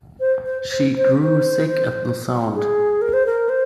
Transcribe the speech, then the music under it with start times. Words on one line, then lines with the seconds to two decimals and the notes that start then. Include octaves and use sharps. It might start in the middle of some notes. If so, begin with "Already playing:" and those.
She grew sick at the sound.
0.20 C5
0.45 C5
0.71 C5
0.97 C5
1.23 C5
2.55 G#4
3.02 A#4
3.13 C5
3.26 A#4
3.49 C5